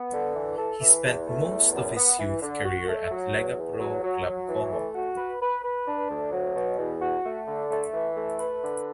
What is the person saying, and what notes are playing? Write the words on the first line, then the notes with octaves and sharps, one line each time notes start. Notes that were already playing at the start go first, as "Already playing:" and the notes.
He spent most of his youth career at Lega Pro club Como.
Already playing: B3
D3
E3
A4
E3
E2
A3
E2
F#2
B3
E3
D3
F#4
A3
F#3
E2
E2
F#3
F#3
F#3
E3
A3
F#4
B4
B4
B4
D4
D2
F#3
B2
E2
F#4
A3
D3
A3
E3
A3
B4
D3